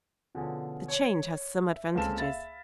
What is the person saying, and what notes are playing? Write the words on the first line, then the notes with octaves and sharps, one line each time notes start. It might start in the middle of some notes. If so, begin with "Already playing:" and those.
The change has some advantages.
B2 D3 F3 C#4 G#4
C#5
E5
C#2 A#3 C4 A4 A5 E7
E5 F5 B5 A6